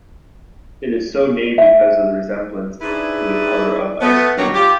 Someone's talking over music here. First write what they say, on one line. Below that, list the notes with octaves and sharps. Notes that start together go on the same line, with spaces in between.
It is so named because of the resemblance to the color of iced tea.
E5
G#2 D4 E4 G#4 B4
A3 B3
B2 D#3 F#3 G3 D4
F4 G4